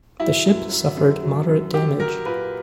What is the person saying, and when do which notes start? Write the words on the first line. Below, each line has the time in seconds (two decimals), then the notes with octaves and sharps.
The ship suffered moderate damage.
0.20 F#3 E4
0.45 F#2
0.71 F#3
0.97 F#2
1.23 F#3
1.48 F#2
1.74 F#3 G4
1.99 F#3 A#4
2.26 A#2 B4